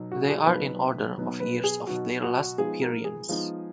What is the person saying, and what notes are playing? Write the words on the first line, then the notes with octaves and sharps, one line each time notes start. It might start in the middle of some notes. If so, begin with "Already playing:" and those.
They are in order of years of their last appearance.
Already playing: B2 F#3 B3 D#4
F#4
G#4
B2 F#3 B3 D#4 B4
B2 F#3 B3 D#4
B4
G#4
B2 F#3 B3 D#4 F#4
F#4
F3 G#3 B3 D#4 G#4
A#4
G#4
F3 G#3 B3 D#4